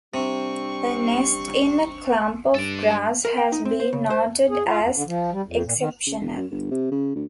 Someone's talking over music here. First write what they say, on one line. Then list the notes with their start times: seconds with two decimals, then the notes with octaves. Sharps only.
A nest in a clump of grass has been noted as exceptional.
0.14 C3 G3 C4 D4 C#6
2.55 G2 A4 D5
3.25 A#4
3.37 G5
3.52 D#4
3.65 C4
3.80 C5
3.93 C#3
4.10 C5
4.50 G#4
4.66 F4
4.82 F2
4.94 D3
5.06 F3
5.32 G3
5.46 F2
5.63 A#2
5.77 D#3
6.06 C#3
6.21 E1
6.37 F#2
6.51 G1
6.71 C3
6.91 C#3
7.15 D2